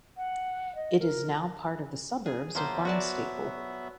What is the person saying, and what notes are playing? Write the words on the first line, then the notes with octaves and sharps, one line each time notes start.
It is now part of the suburbs of Barnstaple.
F#5
D#5
A#4
G#4
F3 F#3 A#3 B3 C5 E5
F#4 D5 A5